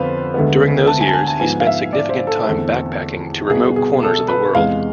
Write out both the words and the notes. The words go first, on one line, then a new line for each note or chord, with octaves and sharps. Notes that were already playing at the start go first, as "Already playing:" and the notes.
During those years, he spent significant time backpacking to remote corners of the world.
Already playing: F2 D3 F3 B3 B4 C5 F5
D2 D3 G#3 B3
A5
G#5
A5
G#5
A5
G#2 F3 B3 G#5
F5
E5
D5
C5
A4
E2 D3 A3 C4
C2 B2 B3 G#4
G#4
A4
B4
E2 C3 G#3 F5